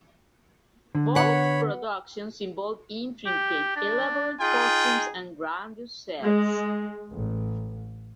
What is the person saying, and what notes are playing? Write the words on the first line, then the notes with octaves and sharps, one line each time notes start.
Both productions involve intricate, elaborate costumes and grandiose sets.
D3
B3 C#5 F#5 B5
G4
D4
D#4 F4 G#4 G5
G#3
A1